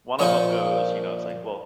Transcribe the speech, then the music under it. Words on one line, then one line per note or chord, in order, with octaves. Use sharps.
one of them goes, you know, it's like, "Well,
A#2 F3 A#3 D#4 C#5